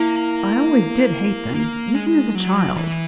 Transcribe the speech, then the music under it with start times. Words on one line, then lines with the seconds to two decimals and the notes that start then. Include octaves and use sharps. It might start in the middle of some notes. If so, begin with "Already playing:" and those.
I always did hate them, even as a child.
Already playing: A#3 E4
1.54 A#3
1.95 G#3
2.35 F#3
2.76 E3